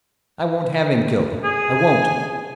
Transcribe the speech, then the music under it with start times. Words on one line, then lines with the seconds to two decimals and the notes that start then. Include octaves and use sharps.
I won't have him killed--I won't!
1.44 G#4
1.76 G#5